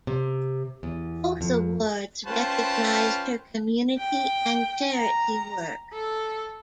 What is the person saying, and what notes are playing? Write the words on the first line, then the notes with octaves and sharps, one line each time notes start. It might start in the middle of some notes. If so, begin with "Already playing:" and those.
Both awards recognised her community and charity work.
C3
E2
F2
C#4 F4 B4 C5 G5 A5
G5
A#5
A4